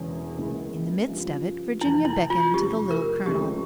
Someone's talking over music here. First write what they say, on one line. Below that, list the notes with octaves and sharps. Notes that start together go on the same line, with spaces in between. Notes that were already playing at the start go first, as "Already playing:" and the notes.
In the midst of it Virginia beckoned to the Little Colonel.
Already playing: E1 E2 C#3 E3
C#2 C#3 E3 A#3 E4
G1 G2 F3 C#4 F4
F1 E2 E3 E4
E4
F4
F1 E2 C#3 G3 G4
A#4
C#2 C#3 F3 A3 C#4 G4